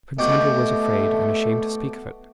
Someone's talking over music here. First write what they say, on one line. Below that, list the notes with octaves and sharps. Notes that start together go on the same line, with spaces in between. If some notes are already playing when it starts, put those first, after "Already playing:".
Prince Andrew was afraid and ashamed to speak of it.
B2 A3 G4